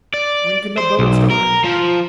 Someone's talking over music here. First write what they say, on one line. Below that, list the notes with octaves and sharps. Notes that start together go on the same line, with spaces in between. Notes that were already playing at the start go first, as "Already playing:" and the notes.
"When can the boat start?"
D5
C5
B1
A#4
F3